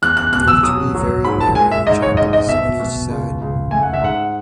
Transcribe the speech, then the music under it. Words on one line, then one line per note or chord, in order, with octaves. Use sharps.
There are three very narrow chapels on each side.
E2 F#6
F#6
B2 F#6
E6
F#3 D#6
F#3
G#2 B5
A5
G#3 G#5
E5
G#2 D#5
C#5
G#2 D#5
D#5
B2 E5
B2
C#2
C#2
A3 G#5
F#5
E5
G#2 F#5